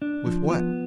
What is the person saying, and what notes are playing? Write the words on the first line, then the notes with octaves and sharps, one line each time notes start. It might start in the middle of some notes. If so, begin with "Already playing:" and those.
With what?
D4
F3
B3